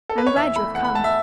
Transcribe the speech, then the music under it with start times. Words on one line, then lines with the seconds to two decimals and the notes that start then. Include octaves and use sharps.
"I am glad you have come."
0.09 A4
0.18 B4
0.27 C#5
0.35 E2 E5
0.56 A3 B5
0.75 E2 F#5
0.85 B5
0.94 A3 A5
1.04 E5